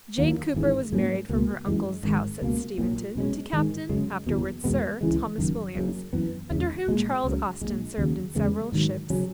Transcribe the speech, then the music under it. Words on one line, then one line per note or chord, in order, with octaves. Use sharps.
Jane Cooper was married from her uncle's house at Steventon, to Captain, afterwards Sir Thomas Williams, under whom Charles Austen served in several ships.
D#2 D#3 F#3 A#3
G#1 G#2 E3
G#2 F#3 A#3 C#4
C#2 B2 A#3
F#2 E3 G#3
G#1 G#2 D#3 G#3
C#2 B2 A#3
B1 A#2 F#3
B1 B2 G#3 C#4
G#2 D#3 G#3
F#2 C#3 G#3
F#1 E2 B2
E2 B2 G#3 B3
C#2 C#3 E3 G#3
F#1 F#2 D#3
F#1 F#2 C#3
F#2 E3 B3
E1 E2 C#3
B1 A#2 G#3
C#2 C#3 F#3
A#1 A#2 G#3
D#2 C#3 F#3
E2 C#3 G#3 B3
G#2 D#3 F#3
C#3 F#3 C#4